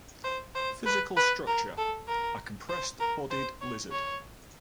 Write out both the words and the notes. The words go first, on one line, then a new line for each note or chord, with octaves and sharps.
Physical Structure: A compressed bodied lizard.
C5
C5
B4
B4
A#4
A4
A#4
C5
A#4
C5
C#5
C#5